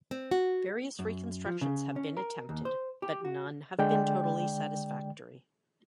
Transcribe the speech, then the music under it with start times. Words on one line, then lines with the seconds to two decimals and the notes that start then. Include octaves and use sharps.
Various reconstructions have been attempted, but none have been totally satisfactory.
0.11 C4
0.31 F#4
0.99 F#2
1.46 F3
1.61 C#3
1.96 C#4
2.17 A#4
2.49 D#2
2.65 C5
3.02 G4
3.25 F#4
3.79 D3 G#3 D5 G5